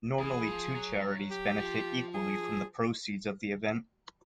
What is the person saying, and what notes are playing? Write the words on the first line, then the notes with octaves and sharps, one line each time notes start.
Normally two charities benefit equally from the proceeds of the event.
E3 G#4
F3
F#3
G4
F3
G#4